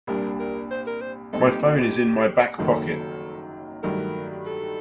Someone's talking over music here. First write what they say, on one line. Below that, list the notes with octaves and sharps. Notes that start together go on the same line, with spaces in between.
My phone is in my back pocket.
C2 A#2 G3 D4 A#4
A#4
C5
A#4
C5
C2 A#2 A3 C4 D#4 A4
G4
F#4
G4
F#1 F#2 D#3 F#3 A#3 A4
G2 D#3 F#3 A3 A#4
A4